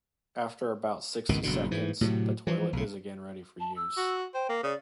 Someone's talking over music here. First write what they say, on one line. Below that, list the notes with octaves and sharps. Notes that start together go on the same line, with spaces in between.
After about sixty seconds, the toilet is again ready for use.
G#1 C#2 B2 D#3
F#1 B2 D3
G#2 E3
A2 C3 E3 F#3
E3 F3
B1 C#3
A5
E6
F#4
C5 G5
A#3
C#3 D5